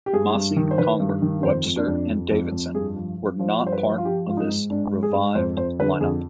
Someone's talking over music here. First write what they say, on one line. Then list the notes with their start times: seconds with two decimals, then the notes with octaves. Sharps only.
Masi, Conger, Webster and Davidson were not part of this revived line-up.
0.06 G4
0.13 G2 G#4
0.35 G2
0.57 D#3
0.71 C5
0.78 D#3 B4
1.00 G2
1.22 D#3
1.43 F2 C5
1.66 F2
1.76 D4
1.88 F2
2.09 F2
2.31 F2
2.52 F2
2.75 G2 G#4
2.96 F3
3.18 F3
3.39 F3 C5
3.62 G2 C5
3.72 B4
3.83 F3
3.98 F4
4.05 F3 G4
4.27 G#2 F4
4.37 D#4
4.49 G#2
4.70 G#2 D4
4.92 G#2
5.03 G#4
5.14 G#2
5.35 F2 C5
5.57 F2 C5
5.79 D3 B4
6.00 F2 G#4